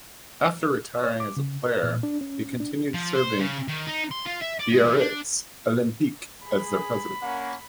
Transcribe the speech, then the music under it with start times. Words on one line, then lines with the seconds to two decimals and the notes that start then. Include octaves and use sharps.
After retiring as a player, he continued serving Biarritz Olympique as their president.
1.03 C#5
1.20 D6
1.37 C#3
1.66 A#4
1.83 A#2
2.03 D4
2.21 C#4
2.60 D4
2.94 F3
3.14 C5
3.39 C#3
3.68 D#3
3.87 D#4
4.11 C6
4.26 F4
4.41 E5
4.60 D5
4.73 G#3
4.86 E3
4.99 D4
6.45 G#4 B5
7.22 A#3 C#4 F#5